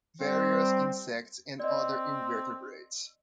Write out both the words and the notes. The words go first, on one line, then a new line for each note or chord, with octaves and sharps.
Various insects and other invertebrates.
G3 C4
C4 D5 D#5